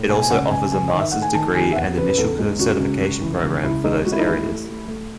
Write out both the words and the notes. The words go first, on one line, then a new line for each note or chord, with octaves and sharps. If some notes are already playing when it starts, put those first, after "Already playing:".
It also offers a master's degree and initial certification program for those areas.
Already playing: A2
B2 G#5
G#5
C#2 F#5
C#2 G#5
C#2 G#5
D#3 D#5
E5
A3 F#5
G#5
D#3 A5
D#2 G#5
E5
E2 F#5
C#3 B4
B4
E2 A4
G#3
C#3 F#4
C#2
C#2
E3
C#2
C#2 E4
G#3 D#4
G#3 F#4
E4
D#4
D#2 E4
A3
A3
A3